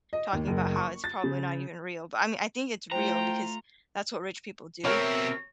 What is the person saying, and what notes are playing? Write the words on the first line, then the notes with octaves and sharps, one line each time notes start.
talking about how it's probably not even real, but I mea I think it's real because that's what rich people do.
D#5
D#2
F#1
C#6
A6
C#3
A3 E4 F4 C5 G5 A#5
B2 C4 A#4 C#5 E5